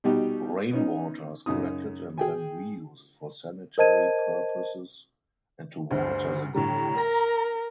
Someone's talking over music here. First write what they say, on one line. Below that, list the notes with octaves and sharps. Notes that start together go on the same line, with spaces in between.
Rainwater is collected and then reused for sanitary purposes and to water the gardens.
B2 G3 D#4 F#4 G4
B3 C#4 D#4
F#2 C#3 D#4 D#6
G#4 G5 G#5
A#4 C5 D#5 A5 G#6 D#7
D2 G2 C5
A2 D3 G3 A#5
A#4 A#6